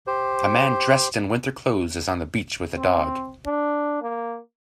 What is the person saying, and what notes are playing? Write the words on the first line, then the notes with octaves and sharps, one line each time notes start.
A man dressed in winter clothes is on the beach wiht a dog.
G4 C5
C4
D4
A#3